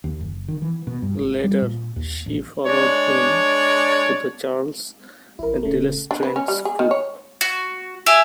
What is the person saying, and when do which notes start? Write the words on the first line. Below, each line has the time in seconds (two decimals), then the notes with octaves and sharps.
Later, she followed him to the Charles Delestraint's group.
0.04 D#2
0.20 F#1
0.48 D#3
0.62 E3
0.87 B2
1.02 G2
1.19 G#1
1.44 G3
1.62 A#2
1.96 D#2
2.26 A1
2.66 G#3 D4 C#5 D5
5.39 A1 E4 A#4
5.63 D#1 C#3 A3
6.11 D4
6.23 B4
6.36 C#4
6.48 G3
6.65 G#4
6.79 D#3
6.91 C#5
7.41 F#4
8.06 G4 E5 G#5